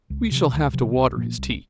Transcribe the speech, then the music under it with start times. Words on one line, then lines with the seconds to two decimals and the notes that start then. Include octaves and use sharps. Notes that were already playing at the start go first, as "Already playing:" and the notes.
"We shall have to water his tea."
0.10 C#2
0.31 C3 F3
0.53 C#2
0.73 C3 F3
0.95 C2
1.16 A#2 F3 A#3
1.38 C2